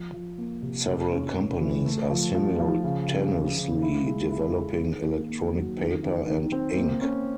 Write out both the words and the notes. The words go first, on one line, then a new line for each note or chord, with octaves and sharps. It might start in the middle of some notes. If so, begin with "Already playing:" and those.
Several companies are simultaneously developing electronic paper and ink.
Already playing: F3
F3
A#3
C3
C3
C#4
C#4
E3
A3
F3
F3
F3
C#3
C#3
C#3
C#3
E4
G#3
E4
G#4
D#3
A#3
A#3
F#3
D#3
D#3
D#3
C4
A#3
C#4